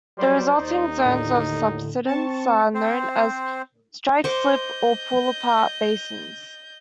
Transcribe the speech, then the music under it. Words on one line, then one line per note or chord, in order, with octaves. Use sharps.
The resulting zones of subsidence are known as strike-slip or pull-apart basins.
F#3 G3 C5 D5
D#2 D#4
A2 D3
C4 A5 C#6
C4 C5
C5 D#5 C#6 D6 G6